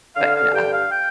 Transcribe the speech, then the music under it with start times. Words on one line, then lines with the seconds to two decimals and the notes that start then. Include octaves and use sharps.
But yeah,
0.15 D3 F5
0.34 F5
0.53 G2 G5
0.71 F5
0.90 G5